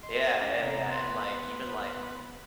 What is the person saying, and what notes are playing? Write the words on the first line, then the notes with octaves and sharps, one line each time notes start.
Yeah, yeah, yeah, and, like, even, like,
D#5 C6
C#4 D5
C3 B3 A#5
B3 B4 C6